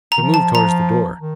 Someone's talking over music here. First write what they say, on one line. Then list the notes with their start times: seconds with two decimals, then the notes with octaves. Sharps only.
He moved towards the door.
0.12 A#5
0.18 D#3
0.23 F3
0.34 A5
0.55 F3 A#5
1.19 D#3